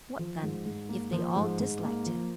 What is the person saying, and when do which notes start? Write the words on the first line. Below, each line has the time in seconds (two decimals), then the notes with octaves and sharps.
"What, then, if they all disliked him?"
0.19 F3
0.43 G#2
0.66 G#2
0.89 A#3
1.13 F3
1.36 G#2
1.59 G#2
1.83 A#3
2.06 F3